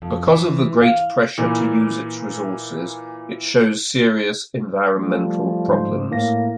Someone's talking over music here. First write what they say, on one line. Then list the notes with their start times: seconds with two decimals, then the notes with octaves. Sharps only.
Because of the great pressure to use its resources it shows serious environmental problems.
0.02 F2
0.27 E3
0.81 F5
1.38 A#2 E3
4.96 F3 G3 A3
5.68 G#2 C5
6.11 A2 A#3 A#6